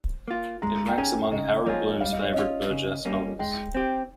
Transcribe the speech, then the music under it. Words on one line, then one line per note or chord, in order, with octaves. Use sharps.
It ranks among Harold Bloom's favourite Burgess novels.
A#3 F4
G#3 A#5
G5
C#4 G#4 G#5
C#3 D#5
F3 A#3 F4 G#4 C#5
G3 F5
D#5
C#5
C#4 F4 D#5
C#3
G3 A#3 C#4
G#3 G5
C4 G4